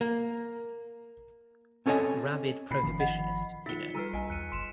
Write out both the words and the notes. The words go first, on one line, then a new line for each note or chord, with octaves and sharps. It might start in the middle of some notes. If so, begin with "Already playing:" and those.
Rabid prohibitionist, you know.
A#3
C4 C#4 A4 C#5 D#5 G#5
A#2 B5 C7
G1 D#3 F3
D#5 F#5
D#4 F4 A6 B6 C#7 G7
F3 G3 B4 A#5 E6 F6 D7 D#7
B1 D#5 G#5 D7
E2 F#6 C#7 D#7
G1 C6 B6 E7 F7